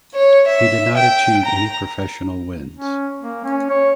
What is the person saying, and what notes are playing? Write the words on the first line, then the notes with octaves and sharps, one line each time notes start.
He did not achieve any professional wins.
C#5
E5
G5
A#5
C#4
A#3
C#4
C#5